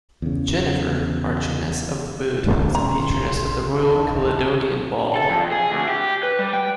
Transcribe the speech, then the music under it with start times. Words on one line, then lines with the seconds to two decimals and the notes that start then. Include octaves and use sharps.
Jennifer, Marchioness of Bute, is a Patroness of the Royal Caledonian Ball.
0.22 E2 C#3
2.75 B2 D#3 C#4 A#5 C6
3.28 B1
3.81 D1 D#3 A5
5.16 A4
5.30 F2
5.52 G#4
5.72 D2
5.88 G4
6.23 B4
6.39 G3
6.53 G5